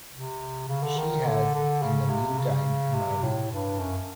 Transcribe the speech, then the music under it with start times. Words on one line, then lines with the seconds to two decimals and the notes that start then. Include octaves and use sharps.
She has, in the meantime, married.
0.12 C3
0.68 C#3
0.83 D3
0.97 D#3
1.25 D3
1.54 D3
1.82 C#3
2.10 C3
2.38 C#3
2.95 C3
3.23 A2
3.51 G2
3.80 F#2